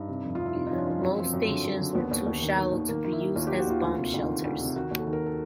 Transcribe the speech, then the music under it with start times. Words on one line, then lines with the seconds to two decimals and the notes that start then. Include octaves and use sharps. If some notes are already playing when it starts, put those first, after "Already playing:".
Most stations were too shallow to be used as bomb shelters.
Already playing: G2 D#4
0.09 C3
0.24 F2
0.35 F2 F4
0.46 E4
0.55 C3 D#4
0.66 D#4
0.71 F3 C#4
0.78 D4
0.87 F3 C#4
1.02 F#2 C4
1.18 F3
1.26 C4
1.33 F#2
1.48 D3
1.64 F#2
1.80 D3
1.95 D#2 B3
2.11 D#2
2.26 D#2
2.42 D#3
2.58 D#3
2.73 D#2
2.89 D#3 A#3
3.05 D#3
3.12 E4
3.20 D#3
3.36 D#2 F4
3.47 G4
3.51 D#3
3.59 F#4
3.67 D#2 F4
3.82 D2
3.97 C3
4.14 D2
4.29 D#3
4.44 D2
4.60 C3
4.76 D#3 F#4
4.91 D#2
4.99 A4
5.07 D#3
5.13 A#4
5.26 A4